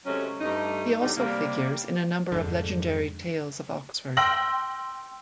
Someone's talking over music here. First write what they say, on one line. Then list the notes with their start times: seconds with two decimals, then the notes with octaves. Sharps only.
He also figures in a number of legendary tales of Oxford.
0.06 C3 F#3 G#3 A3 C#4
0.41 G2 A3 D#4
1.02 E2 G#2 D3 F#3 G3 D#4
1.17 C3 G3 A#3
2.32 F2 G#2 D3
4.17 G5 C6 E6 A#6 F#7